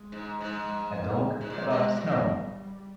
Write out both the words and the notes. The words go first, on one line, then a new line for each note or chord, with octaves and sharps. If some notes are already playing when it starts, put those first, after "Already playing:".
A dog above snow.
Already playing: G#3
G#2
G#2
G#2
A#2 G#3
C3
A#2 G3
A#2